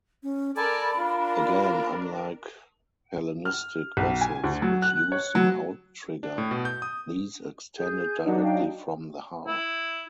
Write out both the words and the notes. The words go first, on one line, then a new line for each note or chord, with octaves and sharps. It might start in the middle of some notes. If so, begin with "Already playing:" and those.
Again unlike Hellenistic vessels, which used an outrigger, these extended directly from the hull.
C#4
A4 A#4 D5 G#5 A5 B5
D4 F4 A#4
F6
B1
G#5
D2
F#3
F#6
C#5
F#3
D4
A2
B2
G6
D#6
G#4 G6
F#3 D4 D#4 F#5
F5 G5
E4